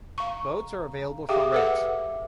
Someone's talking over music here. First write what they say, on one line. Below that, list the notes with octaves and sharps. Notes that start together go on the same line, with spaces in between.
Boats are available for rent.
F5 A#5 C#6
G4 G#4 E5 F5 G5 D6
A4 B4 F#5